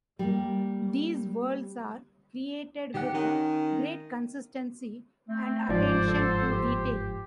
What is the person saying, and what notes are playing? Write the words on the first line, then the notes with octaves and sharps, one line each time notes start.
These worlds are created with great consistency and attention to detail.
G3 A#3
D#3 G4 F#5
D#3 C#4
A3 C4
G1 G#2 F3 C5 D5
D3 A4
G4